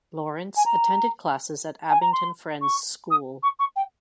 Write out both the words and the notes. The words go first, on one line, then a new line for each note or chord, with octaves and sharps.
Lawrence attended classes at Abington Friends School.
G#5
A#5
G#5
A#5
C6
C#6
D#6
C#6
C#6
G5